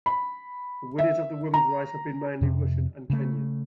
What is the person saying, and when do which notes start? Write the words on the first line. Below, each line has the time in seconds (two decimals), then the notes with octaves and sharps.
The winners of the women's race have been mainly Russian and Kenyan.
0.06 B5
0.98 E5
1.54 A#5
2.41 F2 C3
3.10 C#3 A3